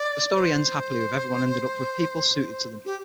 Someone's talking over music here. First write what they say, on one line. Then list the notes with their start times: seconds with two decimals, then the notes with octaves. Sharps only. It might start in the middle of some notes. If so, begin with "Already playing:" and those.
The story ends happily with everyone ending up with people suited to them.
Already playing: D5
0.36 C5
2.85 G4